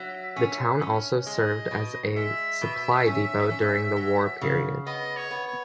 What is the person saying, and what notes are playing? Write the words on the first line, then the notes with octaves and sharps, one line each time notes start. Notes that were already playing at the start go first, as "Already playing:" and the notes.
The town also served as a supply depot during the war period.
Already playing: F#3 E5
C#4
C#4
G#3 D#5
B2
G#3 E5
B2
C#4
C#4
F#3
C#3
B3 D#5
C#5
B3
C#5